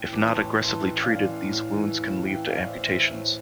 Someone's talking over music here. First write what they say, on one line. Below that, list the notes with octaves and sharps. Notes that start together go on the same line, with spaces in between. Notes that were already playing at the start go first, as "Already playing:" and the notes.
If not aggressively treated, these wounds can lead to amputations.
Already playing: A2 G5
E3 D6
A5 C6
A2
E3 A5 C6
A2
D5 F5
E3
A2
E3
A2
E3 E5 G5
D5 F5
A2
C5 E5
E3
C5 E5
A2 C5 E5